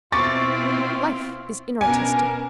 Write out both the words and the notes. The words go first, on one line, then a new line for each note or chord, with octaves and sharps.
Life is inartistic.
B2 C4 E4 F4 C#6 D6 A6
B2 C#4 D4 A#4 G#5